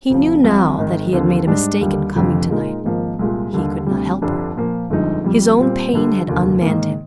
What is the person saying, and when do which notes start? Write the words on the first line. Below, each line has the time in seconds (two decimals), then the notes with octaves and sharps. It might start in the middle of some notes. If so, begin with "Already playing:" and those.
He knew now that he had made a mistake in coming tonight; he could not help her. His own pain had unmanned him.
0.10 D2 C3 F3
0.44 C2 C3 F3
0.78 G#1 G#2 D#3
1.12 D#2 D3 F3 C4
1.47 G#2 G3 D4
1.81 D#2 D3 G3
2.15 F1 F2 D3 F3
2.49 A#2 G#3 D#4 A#4
2.84 G#1 G#2 F3 A#3
3.19 C2 A#2 G#3
3.53 D#2 D3 G3
3.86 D2 C3 G3
4.22 G1 F2 D3 G3 D4
4.56 A#2 F3 A#3
4.90 G1 F2 D3 G#3 D#4
5.24 F2 C3 G3
5.59 A#2 G3 C4
5.93 G1 G2 D3 G3
6.27 F1 D#2 D3
6.61 G#2 D#3 A#3